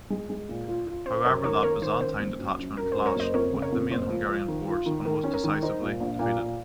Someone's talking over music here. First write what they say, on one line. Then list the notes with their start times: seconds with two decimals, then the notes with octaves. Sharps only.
However, that Byzantine detachment clashed with the main Hungarian force and was decisively defeated.
0.10 G#3
0.30 G#3
0.49 A#2
0.68 F4
0.87 F4
1.05 C#4 C5
1.25 F#2 A#4 C#5
1.44 D#3 A#4 C#5
1.63 A#3 A#4 C#5
1.82 D#3 C5
2.01 C#4 C5
2.20 F#1
2.39 F#2
2.58 F#2
2.77 F#2 A#4
2.92 F#2 C5
3.06 A#4 C#5
3.16 F#1 C5 D#5
3.34 F2 A#4 C#5
3.53 C#3
3.62 A#4 C#5
3.72 F2
3.91 F#1 C5
4.11 F3
4.29 F3
4.48 D#3
4.68 F4
4.86 D#3
5.05 D#3 A#4
5.24 C#4
5.34 A#4
5.44 D#3
5.62 D#4 C5
5.81 A#2
6.00 A#1
6.19 A#2
6.38 A#2